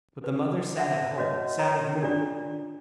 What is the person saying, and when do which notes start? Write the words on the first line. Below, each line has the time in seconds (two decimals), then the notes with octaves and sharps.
But the mother sat at home, sad of mood.
0.24 B4
0.77 E5 F#5
1.18 F#4 B4 C#5 D#5
1.59 C#5 A#5
2.03 D4 F4 D5